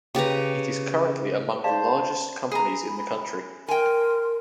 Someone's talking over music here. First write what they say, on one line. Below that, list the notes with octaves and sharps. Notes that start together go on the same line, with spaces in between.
It is currently among the largest companies in the country.
C#3 G4 B4 A#5
G#4 C5 D5 F5 A5
G#4 A#5 B5
A#4 G5 G#5 C6